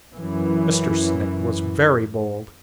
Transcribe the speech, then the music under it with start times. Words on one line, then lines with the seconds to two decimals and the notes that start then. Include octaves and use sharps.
Mr. Snake was very bold.
0.14 F#2 E3